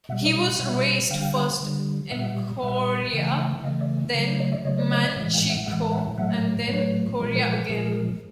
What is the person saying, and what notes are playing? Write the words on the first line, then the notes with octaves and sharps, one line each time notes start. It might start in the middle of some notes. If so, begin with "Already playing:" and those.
He was raised first in Korea, then Manchukuo, and then Korea again.
B2 G3 E5 F#5
D5 E5
D#5 F5
B2 G3 E5 F#5
D3 G3 F5 G5
D3 G3
A#2 G3 E5 F#5
A#2 G3 E5 F#5
C#3 E3 A3 F5 G5
E5 F#5
C#3 E3 A3 D#5 F5
D5 E5
C#3 F#3 A3
C5 D5
C#5 D#5
D5 E5
C#3 F#3 A3 C#5 D#5
C5 D5
C#5 D#5
D5 E5
A2 E3 G#3 D#5 F5
F5 G5
E5 F#5
A2 E3 G#3 E5 F#5
E5 F#5
A2 F#3 A3 E5 F#5
A2 F#3 A3 B4 C#5
A#2 F3 G#3
A#4 C5
A4 B4
A#2 F3 G#3 G#4 A#4